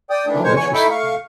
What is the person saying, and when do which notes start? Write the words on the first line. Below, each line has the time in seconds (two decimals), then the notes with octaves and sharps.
Oh, interesting.
0.10 D5 G5 D#6
0.26 D#3 E3 A3 D4
0.44 F2 G#3 C5 C#5 C#6
0.56 E2 C#5 G#5 C#6
0.74 D#4 E4 A4 E5 G5 C#6
0.90 A3 F5 C#6